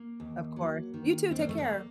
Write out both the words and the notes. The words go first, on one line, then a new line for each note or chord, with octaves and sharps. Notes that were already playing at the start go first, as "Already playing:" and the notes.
Of course. You too. Take care.
Already playing: A#3
D#2
F#3
D#3
D#2 C4
A#3
A3
A#3